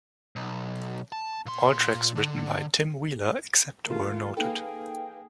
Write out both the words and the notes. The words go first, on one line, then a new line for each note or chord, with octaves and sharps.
All tracks written by Tim Wheeler except where noted.
B1
A5
A#2 C6
D3
D#3 A3 F4 A#4
A#3 D#4 G#4 A4 B4 F5 G5